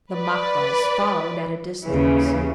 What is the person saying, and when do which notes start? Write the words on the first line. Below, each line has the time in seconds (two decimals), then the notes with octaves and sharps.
The Maquas followed at a distance.
0.13 B4 D5
1.85 D#2 C#3 E3